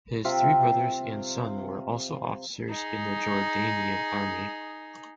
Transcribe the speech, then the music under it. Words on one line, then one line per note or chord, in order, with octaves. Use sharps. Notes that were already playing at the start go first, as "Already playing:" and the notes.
His three brothers and son were also officers in the Jordanian army.
C3 C4 F4 E5
D#4 G#4